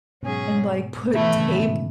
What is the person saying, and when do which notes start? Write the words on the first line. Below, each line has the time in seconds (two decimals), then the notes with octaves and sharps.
and, like, put tape
0.23 G#2 B2 F#3 C#4 G#4
1.13 B2 D#3 E3 A3 E4
1.36 A2 C#3
1.59 G#2 B2